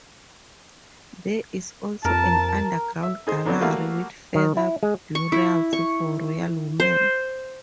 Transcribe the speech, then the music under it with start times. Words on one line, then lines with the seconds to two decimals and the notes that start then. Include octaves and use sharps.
There is also an underground gallery with further burials for royal women.
2.05 F2 A#4 A5
3.03 E5
3.27 D#4 G#4 C5
3.45 D3 F#3 B3 C4 D4
3.61 G3 A3 A#3 F#4 E5 F5
4.35 D#3
4.57 E4
4.83 G#3
5.15 C#6
5.32 E4
5.73 C#6
6.80 C5